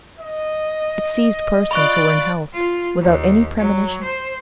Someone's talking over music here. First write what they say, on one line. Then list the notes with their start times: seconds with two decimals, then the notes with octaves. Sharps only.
It seized persons who were in health, without any premonition.
0.19 D#5
1.71 F4 D5 B5 C#6 F#6
2.53 F4
3.02 D#2
3.58 F#3
4.03 C5